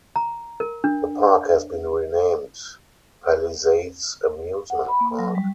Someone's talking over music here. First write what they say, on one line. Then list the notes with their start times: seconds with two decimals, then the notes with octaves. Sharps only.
The park has been renamed Palisades Amusement Park.
0.16 A#5
0.60 A#4
0.84 D4
4.70 F#5
4.88 B5
5.01 A#3
5.19 F#3
5.35 G3